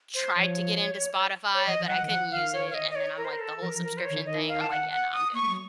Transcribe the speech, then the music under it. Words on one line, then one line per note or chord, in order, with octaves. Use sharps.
tried to get into Spotify, but I couldn't use it, and then I'm like the whole subscription thing, I'm like, "Yeah, no, I'm good."
C5
F3 C#5
C#5
F3 D#5
F3
F#3 F#5
D#3
F3 F#5
D#3 F5
C#5
F5
D#5
D#5
C#5
A#4
C5
A#4
A4
F3 A#4
F3
A#4
C5
D#3 C#5
D#3 D#5
F5
A5
F#5
F#5
D#6
A#3 C#6
A3
F#3